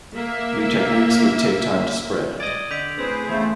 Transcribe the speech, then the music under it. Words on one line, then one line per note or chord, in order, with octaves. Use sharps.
New techniques would take time to spread.
A#3 E5
D5 D#5 G#6
D3 G6 B6 D7
A2 C4 G#4 B4 C5
E2 C#3 A3 C5